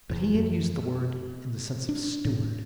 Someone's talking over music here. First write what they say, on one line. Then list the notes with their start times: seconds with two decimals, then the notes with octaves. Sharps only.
But he had used the word in the sense of Steward.
0.10 E2
0.34 F#2
1.89 D4
2.25 A2